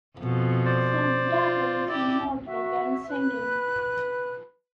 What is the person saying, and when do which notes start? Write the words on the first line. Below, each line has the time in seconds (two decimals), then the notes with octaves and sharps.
Sandhu dabbles in modeling and singing.
0.18 F2 B2
0.65 C5 D5
1.29 F4
1.89 E4 G4 D5
2.47 F#4 E5
3.09 B4 F#6